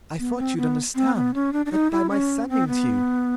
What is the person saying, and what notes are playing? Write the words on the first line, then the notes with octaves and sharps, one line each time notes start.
I thought you'd understand that by my sending to you.
B3
C4
B3
C4
B3
C#4
D4
D4
D#4
E4
C#4
C4
B3